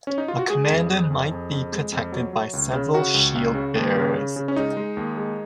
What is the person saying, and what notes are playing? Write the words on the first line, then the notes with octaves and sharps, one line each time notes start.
A commander might be protected by several shield bearers.
C#4
D#4
F4
F#4
G#3 G#4
F2
F2
F2
F2
F2
G#3
F2
F#3
F#3
C#2
C#3
C#3 F#4
C#2
C#2
C#3
D#2
C#3
C#3
C#3
C#4
G#3 D#4
G#3
D#2
G#3